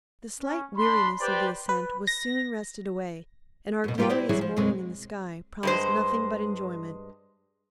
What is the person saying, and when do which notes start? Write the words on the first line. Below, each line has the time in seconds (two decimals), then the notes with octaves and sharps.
The slight weariness of the ascent was soon rested away, and our glorious morning in the sky promised nothing but enjoyment.
0.40 C#4
0.76 D4 B5 C6
1.19 G4 B4 C5 D5 G5
1.69 B4
2.07 A#6
3.84 F#2 B2
3.98 G3 E4 F4 G4 B4 G5
4.09 E4 G4 C5 D5
4.29 E3 F#3 G3 E4 G#4 B4
4.41 F3
4.56 F#2 B2 G#3 C4
5.63 G2 G#3 C5